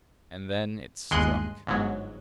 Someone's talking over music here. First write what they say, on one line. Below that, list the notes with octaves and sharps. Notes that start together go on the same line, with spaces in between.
And then--it struck!
G1 D#2 G#3 C6 F#6 D#7
G1 G#2 F#3